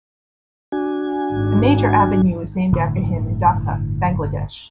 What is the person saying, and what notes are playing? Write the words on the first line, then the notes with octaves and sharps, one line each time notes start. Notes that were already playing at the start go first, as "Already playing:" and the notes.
A major Avenue is named after him in Dhaka, Bangladesh.
D4 F#4 G#5
G#1
G1 A2 D3 E3